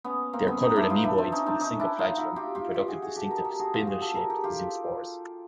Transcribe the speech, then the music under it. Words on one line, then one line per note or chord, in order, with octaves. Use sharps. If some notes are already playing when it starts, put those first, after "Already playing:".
They are colored amoeboids with a single flagellum, and produce distinctive spindle-shaped zoospores.
B3 C#4
A#3 C4
B3 C#4
C#4 D#4
D4 E4
D#4 F4
D4 E4
C4 D4
C#4 D#4
C4 D4
C#4 D#4
D4 E4
D#4 F4
E4 F#4
F4 G4
F4 G4
F4 G4
F#4 G#4
F#4 G#4
G4 A4
G#4 A#4
G4 A4
F#4 G#4
F4 G4
F#4 G#4
G4 A4
G#4 A#4
G4 A4
F4 G4